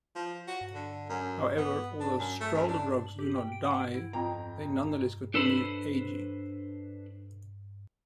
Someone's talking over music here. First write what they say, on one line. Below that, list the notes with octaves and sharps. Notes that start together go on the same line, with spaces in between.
However, although struldbrugs do not "die", they do nonetheless continue "aging".
F3
F#4
D3
F#2
B3
D4
F#2
A3
F#2
D4
F#7
G4
G5
D7
F#5
D7
E4
F2 G5 A#5
D4 A4 B4 C5 B5